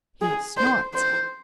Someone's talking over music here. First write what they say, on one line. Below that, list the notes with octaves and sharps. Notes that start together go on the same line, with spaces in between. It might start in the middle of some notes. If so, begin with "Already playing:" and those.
He snorts.
G#4
C5
C5